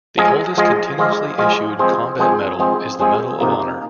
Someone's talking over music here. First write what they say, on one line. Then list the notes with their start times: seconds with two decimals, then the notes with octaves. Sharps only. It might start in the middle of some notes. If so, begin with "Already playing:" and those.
The oldest continuously issued combat medal is the Medal of Honor.
0.17 F3 G#3 F4 G#4 D#5
0.57 F3 G#3 F4 G#4 D#5
0.98 F3 G#3 F4 G#4 D#5
1.38 F3 G#3 F4 G#4 D#5
1.79 F3 G#3 C4 G#4 C5
2.19 F3 G#3 C4 G#4 C5
2.59 F3 G#3 C4 G#4 C5
2.99 F3 G#3 C4 G#4 C5
3.40 C3 F3 A#3 D#4